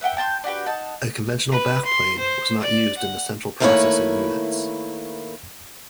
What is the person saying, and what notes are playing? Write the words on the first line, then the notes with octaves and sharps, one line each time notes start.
A conventional backplane was not used in the central processing units.
B4 E5 F#5 G5
G5 A5 C6 G6
D4 F#4 G4 B4
D#4 F#5 A5
B4
C6
C5
D5
F#5
D#3 A3 A#3 E4 B4 C#5